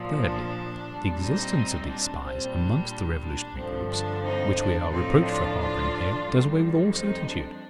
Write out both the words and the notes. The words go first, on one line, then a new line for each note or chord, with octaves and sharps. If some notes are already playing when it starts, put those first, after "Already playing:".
Thirdly, the existence of these spies amongst the revolutionary groups, which we are reproached for harbouring here, does away with all certitude.
Already playing: A#2 F3
D4
A#2 G3
C4 D#4
D4
A#2 G3 C4
D4
D4
D4
G2 D3 F3 C4
D4
C4 D#4
D4
A2 F3 C4 D#4
D4 F4
D4 F4
F2 D#3 G3
C4 D#4
D4